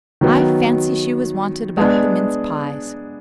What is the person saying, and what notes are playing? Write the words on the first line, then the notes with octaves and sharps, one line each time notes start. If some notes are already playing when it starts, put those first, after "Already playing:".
I fancy she was wanted about the mince-pies.
D#3 F#3 B3
G#3 B3 D4